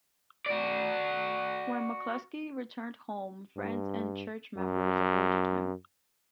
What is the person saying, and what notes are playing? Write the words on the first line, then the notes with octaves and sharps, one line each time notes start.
When McCluskey returned home, friends and church members avoided him.
F#4 D5
G2
F#2